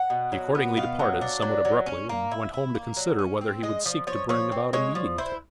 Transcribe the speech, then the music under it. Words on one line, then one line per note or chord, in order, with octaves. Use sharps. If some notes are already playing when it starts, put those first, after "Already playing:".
He accordingly departed somewhat abruptly, and went home to consider whether he would seek to bring about a meeting with her.
Already playing: F#5
B2
F#3
B3
B2 F5
F#3
D4
F#3
F#3
C#4
A#3
E4
E4
A#3
F#3
C#4
C4
G#3 D#5
F3
F3 C#5
F3 C#5
C4
G#3 C#5
F3
E4 C5